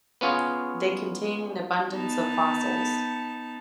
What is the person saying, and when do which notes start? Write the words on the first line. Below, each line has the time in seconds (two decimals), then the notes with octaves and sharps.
They contain an abundance of fossils.
0.21 B3 C#4 F4 G#4
1.90 B3 D#4 A5